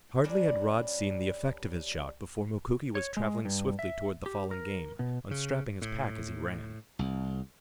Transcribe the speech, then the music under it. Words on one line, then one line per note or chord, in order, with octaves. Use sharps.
Hardly had Rod seen the effect of his shot before Mukoki was traveling swiftly toward the fallen game, unstrapping his pack as he ran.
G3 C#4 D4 A#4
C#5
G#3
G2
E5
G4
A#4
B2
C#3
A2
C2